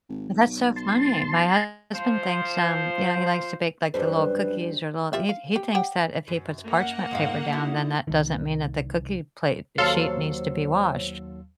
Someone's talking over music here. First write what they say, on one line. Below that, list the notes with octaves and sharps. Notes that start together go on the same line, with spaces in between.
That's so funny. My husband thinks, um, you know he likes to bake, like, the little cookies or little He he thinks that if he puts parchment paper down, then that doesn't mean that the cookie plate sheet needs to be washed.
G#1
B1
A5 C6
F3 C5
F#2 G3 D4 B4 C5
F4 G4 E5
F5
G4
G4 F#5 G5
F#2
A#3 F#5
F2 G#2 F5
D#4 E4 F#4
C2 D#3
D#2 F#3 A4 C5 C#5 F5 C6 E6